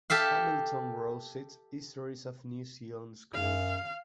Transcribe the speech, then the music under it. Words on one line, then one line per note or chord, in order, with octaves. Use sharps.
Hamilton wrote six histories of New Zealand schools.
G4 A4 E5 F5
F#2 F5